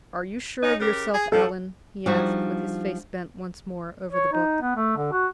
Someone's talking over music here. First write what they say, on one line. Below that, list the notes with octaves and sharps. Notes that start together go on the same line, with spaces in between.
"Are you sure of yourself, Allan?" he asked, with his face bent once more over the book.
C#4 D#4
C#3 G4 A#4
G#4
G#2 F3 A4
F3 G3 D4 D#4 F#4
C#5
D#4
B3
A3
D3
F#4